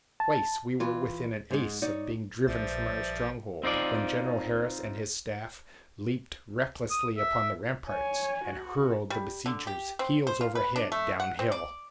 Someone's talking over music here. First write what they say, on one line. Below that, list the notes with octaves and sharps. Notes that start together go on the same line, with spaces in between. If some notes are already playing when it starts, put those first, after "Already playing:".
Twice we were within an ace of being driven from our stronghold, when General Harris and his staff leaped recklessly upon the ramparts and hurled the besiegers heels over head down hill.
A5
E3 F4
G#2 G#3
D#4 F#4 C#5 D5
A#1 G2 F3 C5 D5 E5 A6
C4 D#4 F4 D5
D#6
E5
C#5 G#5
F#4
G3
D3
G4
C4
C5
F4
B4
D4
A3
F#5
C4
D5